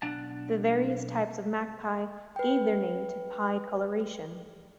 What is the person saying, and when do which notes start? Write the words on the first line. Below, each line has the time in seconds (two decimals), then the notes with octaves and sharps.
The various types of magpie gave their name to pied coloration.
0.02 B1 D4 F#5 A5
2.36 B4 G5